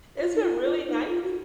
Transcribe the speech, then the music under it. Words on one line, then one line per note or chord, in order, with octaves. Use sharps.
It's been really nice
F4
D#4
F4
F4
D#4
F4
F#4